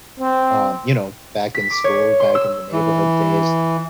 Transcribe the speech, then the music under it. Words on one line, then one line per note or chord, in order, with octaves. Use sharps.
um, you know, back in school, back in the neighborhood days,
C4
B6
D6
C#5
C6
E6
E3